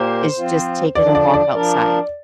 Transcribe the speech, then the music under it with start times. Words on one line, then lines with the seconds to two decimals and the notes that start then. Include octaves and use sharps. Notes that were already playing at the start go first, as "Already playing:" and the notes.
is just taking a walk outside.
Already playing: A#2 A#3 G4 A#4 C5
0.37 F3 C4 F4
0.95 D3 F3 D4 D5
1.15 D5
1.34 D5
1.53 F3 D4 A#4